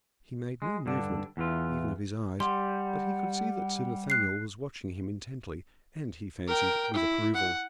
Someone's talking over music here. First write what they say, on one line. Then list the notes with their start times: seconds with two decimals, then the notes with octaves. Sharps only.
He made no movement, even of his eyes, but he could see that Sir Nathaniel was watching him intently, and, he fancied, with approval.
0.62 G#3
0.86 G2 D3 D4
1.37 E2 E3 F4
2.40 G3 F#5 C6
4.10 F#6 C7
6.48 A#4 G5
6.94 E4
7.34 F#5